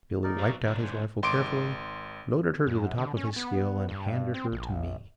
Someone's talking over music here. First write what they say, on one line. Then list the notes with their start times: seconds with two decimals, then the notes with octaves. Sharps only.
Billy wiped out his rifle carefully, loaded her to the top of his skill, and handed her to me.
0.24 D#4 A#4 D5
0.38 F#3 B4
0.63 G#2 D3 D4 D#4
0.82 C5 F#5 G#5
1.23 G#1 C6 D6 D7
2.67 F#2
2.98 D3
3.17 C#4
3.36 B3
3.89 G2
4.34 C4
4.52 A#1